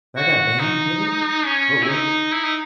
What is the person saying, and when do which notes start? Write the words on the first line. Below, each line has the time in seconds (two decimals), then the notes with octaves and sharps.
That got banned, really? What wa
0.16 F#4
0.60 D#4
1.46 C#4
1.83 E4
1.89 D#4
2.33 E4
2.44 D#4